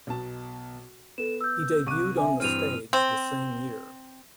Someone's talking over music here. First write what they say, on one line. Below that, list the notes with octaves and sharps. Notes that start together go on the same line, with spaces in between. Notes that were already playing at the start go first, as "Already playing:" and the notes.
He debuted on the stage the same year.
B1 B2 A5
B3 A4 E7
E6 G6
C2 C#6 D6 F#6 D#7
E5 G#5
G2 E3 C4 F6 D#7 F7
C4